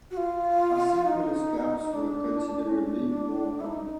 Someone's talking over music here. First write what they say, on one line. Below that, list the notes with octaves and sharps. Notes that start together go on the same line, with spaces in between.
Asynchronous gaps were considerably more common.
F#4
F4
D#4
D4
C#4
D4
E4
D#4